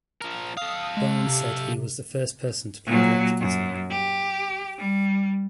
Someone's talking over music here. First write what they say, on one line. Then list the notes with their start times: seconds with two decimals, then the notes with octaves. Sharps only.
Barnes said that he was the first person to play electric guitar.
0.21 F3 A#4
0.57 A4 F5 D#6
0.97 G#3
1.26 C3
2.86 A#2 F#3
3.40 F#2
3.91 G4
4.78 G3